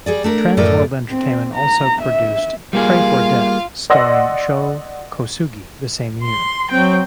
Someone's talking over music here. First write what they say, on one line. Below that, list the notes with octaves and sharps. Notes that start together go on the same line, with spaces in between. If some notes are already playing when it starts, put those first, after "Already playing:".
Trans World Entertainment also produced Pray for Death starring Sho Kosugi the same year.
G3 G#4 D5
A3 D4 A#4
F#2 A2 A4 A#4 D5
C4
A#5
E5
G3 A#3 F4 G#4 F5
D5 D#5 F#5 C6 E6 A#6
C6
F#3 C4 G5